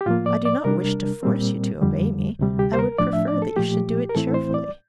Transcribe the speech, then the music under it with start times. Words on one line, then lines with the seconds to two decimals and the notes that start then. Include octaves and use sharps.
"I do not wish to force you to obey me; I would prefer that you should do it cheerfully."
0.01 G4
0.06 A2 F3 A#3 F4
0.26 D5
0.45 D5
0.65 C3 G3 D4 A#4
1.23 A#2 G3 C4
1.81 F2 D3 G3
2.39 D2 C3 G3
2.59 G4
2.73 C5
2.79 A#4
2.98 A2 F3 A3 D4 D5
3.13 E5
3.28 D5
3.42 A4
3.56 A#2 F3 A3 G4
4.09 A#4
4.15 A2 E3 A3 C4 E4 A4
4.34 C5
4.54 D5